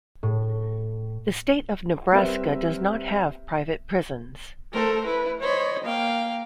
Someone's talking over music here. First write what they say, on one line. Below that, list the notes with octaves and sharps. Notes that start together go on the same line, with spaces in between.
The state of Nebraska does not have private prisons.
A2
G3 C4 A#4 B4 E5
A3 A4 A#4 C5
E4 B4
C5 C#5 D#5 B5
A#3 F5 G5